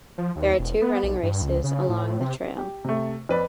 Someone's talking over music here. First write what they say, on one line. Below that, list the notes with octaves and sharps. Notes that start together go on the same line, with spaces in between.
There are two running races along the trail.
F3
D#2
E1
B3
B1
G2
C#2
C#3
A2
C3
G4
C3 A3
F2 B4 D5